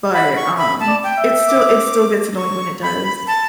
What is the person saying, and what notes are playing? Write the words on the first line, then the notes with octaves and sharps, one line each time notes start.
but, um, it still it still gets annoying when it does.
F#5 B5
C#6
E5 B5
A5
D5
G5
E5
D6
C#6
B5
A5